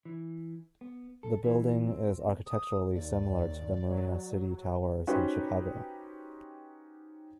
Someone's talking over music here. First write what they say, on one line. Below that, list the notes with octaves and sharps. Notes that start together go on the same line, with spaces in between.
The building is architecturally similar to the Marina City towers in Chicago.
E3
B3
A4
E3
C4
D#6
D#2 D5
D#2
F#3
C#4 D#4 F#4 G4 B4 C5